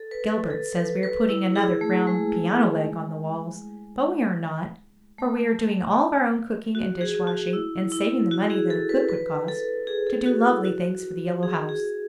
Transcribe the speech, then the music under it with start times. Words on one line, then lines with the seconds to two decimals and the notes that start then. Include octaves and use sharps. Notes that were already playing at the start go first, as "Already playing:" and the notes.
Gilbert says we are putting another grand piano leg on the walls, but we are not, for we are doing all our own cooking and dishwashing and saving the money that a cook would cost, to do lovely things for the Yellow House.
Already playing: A4
0.11 B4
0.31 A4
0.50 A4
0.77 B4
1.03 B4
1.29 E4
1.56 G#4
1.81 A3
2.07 G#3
5.19 A3
6.75 F#4
7.01 G#4
7.27 F#4
7.53 E4
7.92 E4
8.31 F#4
8.50 G#4
8.70 A4
8.89 B4
9.09 B4
9.48 A4
9.87 G#4
10.07 A4
10.26 F#4
10.45 E4
10.65 F#4
11.43 G#4
11.69 G#4